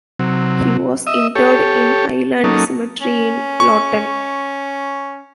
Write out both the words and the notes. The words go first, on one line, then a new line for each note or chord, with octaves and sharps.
He was interred in Highland Cemetery in Lawton.
C3 F#3
D#5 E5
G4 A4 C#5
F#3 A#3 C#4 D#4 A4
C#4
C#6